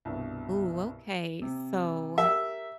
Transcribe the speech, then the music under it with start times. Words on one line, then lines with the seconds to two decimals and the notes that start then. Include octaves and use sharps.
Ooh, okay. So
0.05 C2 G2 B2
1.42 C3
2.18 G4 A#4 E5